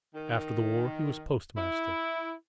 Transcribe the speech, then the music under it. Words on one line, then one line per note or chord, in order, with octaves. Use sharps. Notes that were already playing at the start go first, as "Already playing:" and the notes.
After the War he was postmaster.
D#3
E4